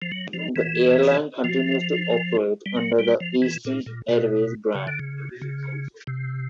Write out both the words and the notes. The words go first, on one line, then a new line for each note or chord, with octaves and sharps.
The airline continues to operate under the Eastern Airways brand.
F3
F#3
F3
E3
F3
G3
F#3
G3
F3
E3
A#2
A#2
B2
C#3
D3
C#3
C#3
C3